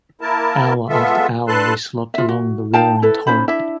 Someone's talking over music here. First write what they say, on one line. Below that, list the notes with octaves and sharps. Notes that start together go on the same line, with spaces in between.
Hour after hour we slopped along by the roaring torrent.
A#3 E4 A#4 A5
G#3 B3 F4 A4 E5
G2 A4 B4 A5 C6 F#6
F4 E5
F#4
D#4 F5 G5 A5
E4 A4 B4
C#4 D#4 C5 B5
D4 E4 E5